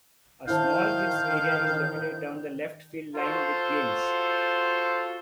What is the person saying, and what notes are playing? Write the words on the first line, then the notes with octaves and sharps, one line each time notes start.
A small kids' area is located down the left-field line with games.
D#3 E4 C5 F5 A5 G6
F4 F#4 A4 C5